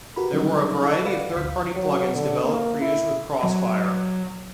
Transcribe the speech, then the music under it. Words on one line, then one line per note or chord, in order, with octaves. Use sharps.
There were a variety of third-party plugins developed for use with Xfire.
F#4 G4 A#4 B4 B5
D3 F#3 G3 C#4 D#4
E4 A4
B4 D5 F5 F#5 B5
G1 D2 F5 B6
F#3
D3
A#3
E4
F#3